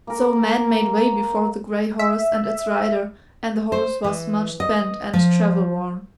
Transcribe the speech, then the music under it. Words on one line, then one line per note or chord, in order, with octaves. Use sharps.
So men made way before the grey horse, and its rider, and the horse was much spent and travel-worn.
A#3 A#4
E5
C5
E3
D#5
F3